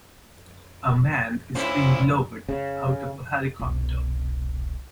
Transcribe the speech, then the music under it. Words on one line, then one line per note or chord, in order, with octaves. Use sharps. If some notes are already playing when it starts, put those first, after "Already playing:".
A man is being lowered out of a helicopter.
C#4 D4 E4 F4 C5
C#3
E1 C2